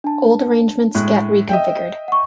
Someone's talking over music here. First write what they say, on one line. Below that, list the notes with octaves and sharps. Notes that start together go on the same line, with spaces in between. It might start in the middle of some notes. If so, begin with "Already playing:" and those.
Old arrangements get reconfigured.
D4 A5
A2 G#3 F#6
D#5 E5 G5
F#5 C#6